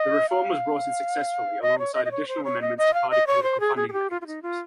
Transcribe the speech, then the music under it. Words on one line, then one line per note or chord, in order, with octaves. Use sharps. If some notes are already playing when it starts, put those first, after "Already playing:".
The reform was brought in successfully alongside additional amendments to party political funding mechanisms.
Already playing: D#5
F5
D#5
C#5
D#5
D#5
C#5
C5
C#5
D#5
D#5
F5
D#5
C#5
C5
G#4
G#4
G#4
G4
F4
F4
D#4
F4